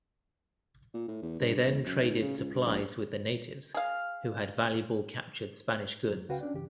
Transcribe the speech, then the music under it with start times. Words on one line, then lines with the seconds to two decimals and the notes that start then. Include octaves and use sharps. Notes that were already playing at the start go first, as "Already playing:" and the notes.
They then traded supplies with the natives who had valuable captured Spanish goods.
0.94 A#2
1.08 A2
1.22 E2
1.39 G2
1.66 E1
1.86 F#2
2.02 G#2
2.21 C#3
2.37 C#2
2.54 G2
2.66 A#1
3.74 G#4 F5
6.08 F2 F#3
6.28 C#2 C#3 F#4 B4 F5 G5
6.41 C#4 D4 D5
6.54 C#2 G2 C#3 E3 G4